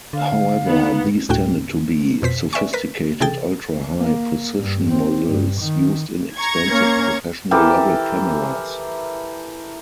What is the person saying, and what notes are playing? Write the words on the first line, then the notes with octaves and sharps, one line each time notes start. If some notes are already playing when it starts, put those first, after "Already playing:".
However, these tended to be sophisticated ultra-high precision models used in expensive professional-level cameras.
D3 F5
B3 D#4
D2 A2 F#4 G5
F2 B2 C5 B6
B4 D5 E5 G5 G#5 C#6
A#4 B4 B6
C3 E3 G#4 A4 G5 A6
A#3
G2
C4
G2
D#3
A#5 C#6 G#6
A#3 C#4
E3 G4 A4 A#4